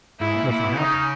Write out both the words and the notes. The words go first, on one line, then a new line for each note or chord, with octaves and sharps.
Nothing happened.
G#2 E4
A#2
A#2 E4
B2
C#3 D#4